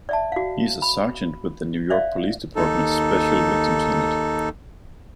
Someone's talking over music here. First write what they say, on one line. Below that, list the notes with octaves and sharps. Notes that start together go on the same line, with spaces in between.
He is a sergeant with the New York Police Department's Special Victims Unit.
D5 E5 A5
F#4 F5
B5
C5 D5 E5 F5
D#2 D#4 A4